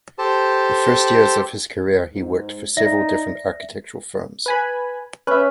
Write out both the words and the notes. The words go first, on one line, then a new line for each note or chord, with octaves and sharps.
The first years of his career he worked for several different architectural firms.
G4 A4 C5 A5
G#2
D#4 D5 E5 A#6
B4 G#5 B5
C#4 B4 E5